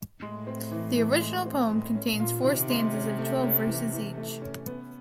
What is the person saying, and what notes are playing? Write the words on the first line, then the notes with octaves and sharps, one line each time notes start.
The original poem contains four stanzas of twelve verses each.
A2 G#3
C4
E3
E3
G#3
C4
A2 G#3
C#4
A#2
F4
C3 D#3
G#3
C#4
A3
C#4
E3
E3
A3
C#4
B3